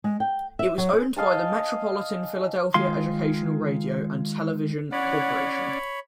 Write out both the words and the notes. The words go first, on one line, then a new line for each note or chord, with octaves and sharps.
It was owned by the Metropolitan Philadelphia Educational Radio and Television Corporation.
G#3
G5
E5
F#3
G#4
D#5 F5 G#5 A5
D#3 G#3 F4 F5 C6
C#4 C#5 D5 F#5 B5